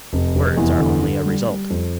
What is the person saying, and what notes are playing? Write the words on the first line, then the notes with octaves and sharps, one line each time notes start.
Words are only a result.
F1
F1
E2
D3
D3
G3
G3
F2